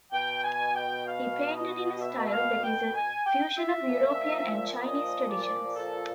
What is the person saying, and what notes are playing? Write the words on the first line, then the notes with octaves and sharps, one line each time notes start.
He painted in a style that is a fusion of European and Chinese traditions.
B2 G5
G#5
G5
F5
D#5
E5
F5
G5
G#5
G5
E5
A#2 F3
D#5
D5
A4